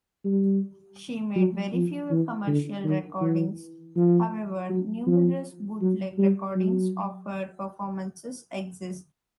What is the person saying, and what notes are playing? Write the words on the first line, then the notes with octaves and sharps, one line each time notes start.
She made very few commercial recordings; however, numerous bootleg recordings of her performances exist.
G3
F#3
F3
E3
D3
D#3
E3
F3
F#3
F3
F#3
G3
F#3